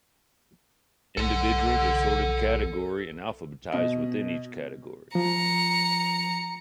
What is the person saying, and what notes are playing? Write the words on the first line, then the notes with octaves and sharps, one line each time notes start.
Individuals are sorted by category and alphabetized within each category.
B1 A4 F#5
B2 D#5
F3 A#5 C#7